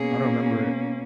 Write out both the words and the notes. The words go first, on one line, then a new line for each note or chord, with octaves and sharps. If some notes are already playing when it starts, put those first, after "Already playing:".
I don't 'member it.
Already playing: B2 A#3 C#4 G#4